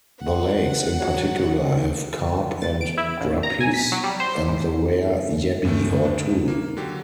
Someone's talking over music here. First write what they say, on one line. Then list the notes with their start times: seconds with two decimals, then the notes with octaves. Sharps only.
The lakes in particular have carp and guppies, and the rare yabbie or two.
0.20 F#5
1.00 F#3
2.62 A6
2.81 D7
2.98 E4
3.21 A1
3.43 A#5
3.60 G#5
3.74 B6
3.92 F#3
4.04 G3
4.20 C5
4.48 G#1
5.65 D2 G2 A3
5.90 F#2 D3
6.05 D4
6.48 A#3
6.77 D3 F#3 G4